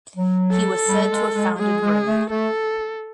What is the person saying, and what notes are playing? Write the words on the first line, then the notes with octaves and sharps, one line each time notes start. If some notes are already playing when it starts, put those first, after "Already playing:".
He was said to have founded Rome.
F#3
A4
G3
G#3
G#3
G#3 G#4
G#3
A3
A3 A4